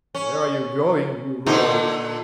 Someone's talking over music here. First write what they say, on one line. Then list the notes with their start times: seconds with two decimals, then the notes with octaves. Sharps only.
"Where are you going, you rogue?"
0.15 C#4
1.46 A#2 D3 D#4